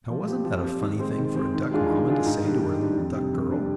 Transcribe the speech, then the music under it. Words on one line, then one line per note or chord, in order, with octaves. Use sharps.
Now wasn't that a funny thing for a duck mamma to say to her little duck girl?
F3
C4 G4
F3
C4 G4
D#3
G#3 C4
D#3
G#3 C4
D#3
G#3 D4 F4 G#4
D#3
G#3 D4 F4 G#4
G#2
D#3 G3 D4
G#2
D#3 G3 D4
F2
C3 G3 D4
F2
C3 G3 D4